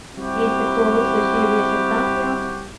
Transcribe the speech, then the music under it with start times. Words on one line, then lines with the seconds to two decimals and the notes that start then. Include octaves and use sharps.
"Is the quarrel so serious as that?" he asked.
0.16 G3 C4 E4 F#4 G4